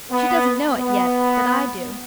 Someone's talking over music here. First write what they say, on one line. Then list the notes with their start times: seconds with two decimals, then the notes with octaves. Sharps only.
She doesn't know it yet; but I do.
0.11 B3
0.78 B3